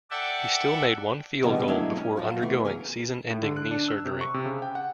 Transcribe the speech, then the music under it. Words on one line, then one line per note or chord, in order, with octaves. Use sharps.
He still made one field goal before undergoing season-ending knee surgery.
A4 D5 E5 F#5 G5 A5
B2 D3 D#3 G3 G#3 B3
F3 F#3 G#3 A3 D4 E4
C#4
F#2 F3 F4 F#4
E3 A3 B3
C#4 G#4 A#4
A2
D3
F#6
D4
E6
C3
C#6
C3
C#3
G5
F#5